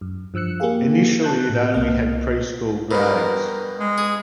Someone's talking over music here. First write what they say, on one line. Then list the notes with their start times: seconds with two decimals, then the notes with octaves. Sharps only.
Initially it only had preschool grades.
0.01 F#2
0.34 G2 F3 E6 F#6 C#7
0.60 A#3 F4 G4 G#4 F5
1.23 A5 F#6 G6
1.49 A2
1.73 C2 A#3 B3 D#5 F6
2.91 G2 B2 A#4
3.79 G#3
3.98 G#4